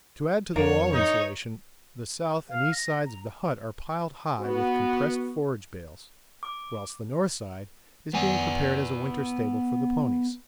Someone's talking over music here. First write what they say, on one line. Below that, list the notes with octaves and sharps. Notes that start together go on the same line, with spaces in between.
To add to the wall insulation the south and east sides of the hut are piled high with compressed forage bales, whilst the north side is being prepared as a winter stable for the ponies.
F2 D3 A#3 C#5
D#4 C#5
F5
A#6
A#5
B3 F#4
D6
B3 G#5